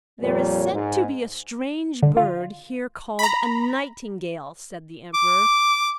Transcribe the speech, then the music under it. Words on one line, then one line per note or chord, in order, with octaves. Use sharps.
"There is said to be a strange bird here called a Nightingale!" said the Emperor.
F2 A#2 G3 A#4 C#5
G#2
D3
F4
A#5 B5
D6